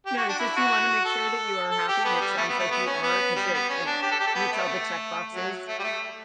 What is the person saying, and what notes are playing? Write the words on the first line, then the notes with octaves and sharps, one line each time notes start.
no, just you wanna make sure that you are happy and it sounds like you are 'cause it it meets all the checkboxes
G4
F#4
D4
E4
F#4
A4
A4
G4
B3
G3
A3
B3
A3
B3
C#4
B3
G3
B3
C#4
D4
G4
A4
G4
A4
B3
A3
F#3
A3
G3
A3